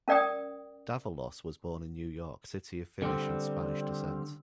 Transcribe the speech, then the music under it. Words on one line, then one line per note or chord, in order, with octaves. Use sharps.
Davalos was born in New York City of Finnish and Spanish descent.
C#4 A#4 D5 G5 D#6
D3 G3 C4